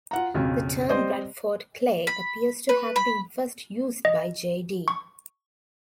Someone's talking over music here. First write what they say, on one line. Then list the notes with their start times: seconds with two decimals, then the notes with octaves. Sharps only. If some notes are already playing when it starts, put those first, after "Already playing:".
The term "Bradford Clay" appears to have been first used by J. de.
0.11 F4 F#5 A#5
0.34 B1 F2 C#3
0.89 G3 C4 C5 D5 D#5
2.07 B5
2.69 B4
2.96 B5
4.05 D#5
4.88 C#6